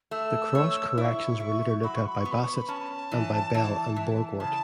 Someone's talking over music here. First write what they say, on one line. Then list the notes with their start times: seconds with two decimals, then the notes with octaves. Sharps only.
The Cross Corrections were later looked at by Bassett and by Bell and Borgwardt.
0.11 A3 E6
0.55 C#5
0.97 E4 C#6 E6
1.40 E4
1.83 F#3 B5
1.95 C#6
2.07 B5
2.19 C#6
2.25 B3
2.31 B5
2.43 C#6
2.55 B5
2.69 C#4 A5
3.12 E3
3.54 E3
3.96 E3
4.39 C#3 A5